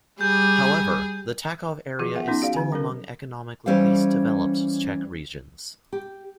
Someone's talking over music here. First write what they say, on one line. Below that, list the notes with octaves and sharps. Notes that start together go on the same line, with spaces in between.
However, the Tachov area is still among the economically least developed Czech regions.
G3 G#4 G6
D#3 F3 F4 G#4
B3 E5 F#5
B3 C#4 D#4 F4
F#4 G#4 D5 F5
D3 G#5
F#3 C#4 A4 A#4
E3 G3 C#4 G4 C5 F5
G4